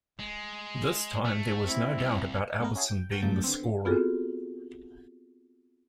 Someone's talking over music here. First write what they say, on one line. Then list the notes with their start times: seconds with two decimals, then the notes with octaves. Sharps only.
This time there was no doubt about Albertsen being the scorer.
0.19 G#3
1.25 A3
1.63 C4 E4
1.98 C2
2.60 A3 B3 A#4
2.75 C#4 E4 F#4 G#4 A4
2.88 G5
3.10 F#4 A#4 G5 A5 A#5
3.22 F#2 A2 C#3 A#3 A5 G6
3.44 D3 B3 C4
3.85 B3 C4 F4 F#4 G#4 A4